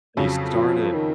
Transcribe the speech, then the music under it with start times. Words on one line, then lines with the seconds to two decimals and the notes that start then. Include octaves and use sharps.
she started
0.17 F2 C#3 F#3
0.55 F3
0.94 D#3